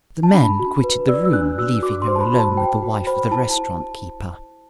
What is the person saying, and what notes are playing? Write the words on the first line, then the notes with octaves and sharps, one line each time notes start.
The men quitted the room, leaving her alone with the wife of the restaurant keeper.
A5
D4 B5
F#4
B4
D5 E6
E6
D4 F#6
F#4 E6
F#4 D6
C6
C5
A5
B5
F#4
A5
C5 G5
F#4
C5 B5
E4 A5